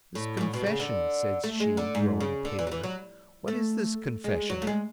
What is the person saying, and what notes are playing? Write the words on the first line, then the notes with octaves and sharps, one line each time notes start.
"This confession," said she, growing paler, "what is this confession?"
A2
G#2
A2
B2
C#3
D3
A3
G#3
D3
G#2
C#3
D3
E3
F#3
E3
F#3
A3
G#3
F#3
A3
G#3